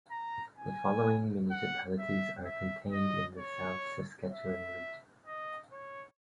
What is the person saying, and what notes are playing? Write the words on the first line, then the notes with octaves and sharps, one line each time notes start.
The following municipalities are contained in the South Saskatchewan Region.
A#5
G#5
F#5
E5
E5
D#5
C#5
E5
D#5
C#5